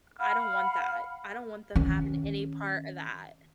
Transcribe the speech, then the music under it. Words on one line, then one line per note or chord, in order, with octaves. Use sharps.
I don't want that; I don't want them having any part of that.
F5 F#5 B5 F6
D#3 C#4